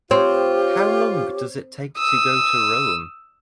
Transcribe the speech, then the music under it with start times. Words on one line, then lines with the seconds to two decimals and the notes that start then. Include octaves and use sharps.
How long does it take to go to Rome?
0.11 C4 F4 G4 C#5
1.98 D#6 E6